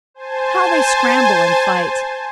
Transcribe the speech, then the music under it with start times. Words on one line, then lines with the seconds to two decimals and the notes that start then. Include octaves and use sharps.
How they scramble and fight!
0.14 C5 G#5 A5